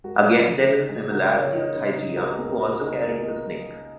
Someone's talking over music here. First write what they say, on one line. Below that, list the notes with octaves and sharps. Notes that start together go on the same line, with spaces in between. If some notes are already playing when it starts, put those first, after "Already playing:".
Again there is a similarity with Hygeia, who also carries a snake.
G#3 F#4 A#4
C#3
C#3
D#4
G#3 G#4
C#3 F#4 A#4
C#3 G#4 C#5
D#4
C#3
D#4
C#2 F#4 A#4
A#4
A#3 G#4
C#3 F#4
D#4 G#4
C#2 A#4 D#5
A#3 A#4 D#5